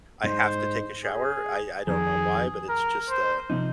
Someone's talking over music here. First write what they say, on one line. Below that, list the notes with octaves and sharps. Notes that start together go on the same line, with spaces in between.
I have to take a shower. I I don't know why, but it's just, uh,
G#2 G#3 D#4 C5
G#4
F2 D#3 C4 G#4
A#4
C5
C3 F3 C4 D#4